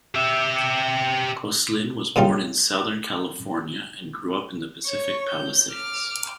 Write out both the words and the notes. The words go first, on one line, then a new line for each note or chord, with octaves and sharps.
Kosslyn was born in Southern California, and grew up in the Pacific Palisades.
G4 E5
A#2 C#3 G3 D#4 F4
C#5 C#6
G6
D6 F6